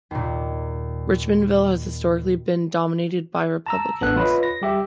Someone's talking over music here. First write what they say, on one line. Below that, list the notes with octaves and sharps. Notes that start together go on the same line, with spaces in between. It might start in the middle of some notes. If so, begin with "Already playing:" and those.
Richmondville has historically been dominated by Republicans.
D#2 A#2
A5 A#5 E6
A1 B3 D4 A4 F#6
F4 B4 C#5 D#5 B5
A#6
G3 G4 E5